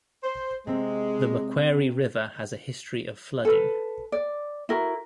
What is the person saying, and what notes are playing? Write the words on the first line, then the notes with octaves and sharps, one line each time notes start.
The Macquarie River has a history of flooding.
C5
C3 G#3 C4
A4 B4
D5
E4 F#4 A#4